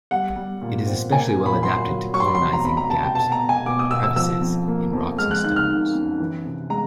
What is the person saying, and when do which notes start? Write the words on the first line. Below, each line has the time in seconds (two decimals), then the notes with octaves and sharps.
It is especially well adapted to colonising gaps and crevices in rocks and stones.
0.11 G3 F#5
0.36 G3
0.62 A#2
0.87 C4
1.12 A#3 G#5
1.38 A#2
1.46 B5
1.63 F#3 C6
1.88 F#3
2.14 F#3 C#6
2.20 C6
2.27 B5
2.35 C6
2.40 C3
2.53 A#5
2.64 C3 B5
2.77 A#5
2.89 C3 A5
3.03 G5
3.15 B2 A5
3.32 A#5
3.41 B2
3.49 G#5
3.66 B2 D6
3.79 D#6
3.91 B2 E6
4.03 E6
4.16 F3 E6
4.41 F2
4.68 A#3
4.93 F2
5.18 G#3 F6
5.31 F#6
5.43 D#3 F#6
5.56 F6
5.69 D#3
5.95 F#2
6.20 E3
6.45 C3
6.70 G#3 A#5